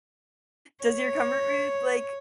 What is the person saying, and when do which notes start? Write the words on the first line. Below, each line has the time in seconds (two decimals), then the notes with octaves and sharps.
Does your comfort food, like,
0.84 C#5